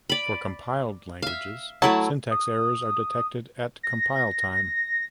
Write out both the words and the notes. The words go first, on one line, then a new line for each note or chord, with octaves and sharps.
For compiled languages, syntax errors are detected at compile-time.
D5 B5
E5 F5
F#3 A3 E4 A5
D#6
A#6